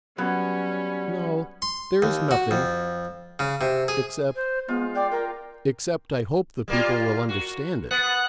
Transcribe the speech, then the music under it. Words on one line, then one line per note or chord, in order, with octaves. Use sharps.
"No--there is nothing--except ... except I hope the people will understand it."
F#3 G3 B3 C#4
C6
D#2
F#4
F2
C#3
C3
G#4
C5
G#3 B3 F4
D5 G5
F4 A#4
G3 A#3 F4
F#4
B3 F#5 F#6